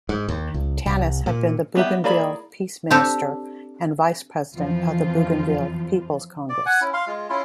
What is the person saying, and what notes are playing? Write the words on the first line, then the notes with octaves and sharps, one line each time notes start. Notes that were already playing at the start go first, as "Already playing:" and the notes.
Tanis had been the Bougainville Peace Minister and vice-president of the Bougainville People's Congress.
G#2
D#2
C#2
C2
A#2
G3 B3 G4 E5
A#3 E4 G#4 D5 B5
C4 D4 G4 A4
F2 E3 F3 F4
D5
F#5 G#5
C#4 E4
F5 C6
G#3 F4
C#4 E4 F4 C6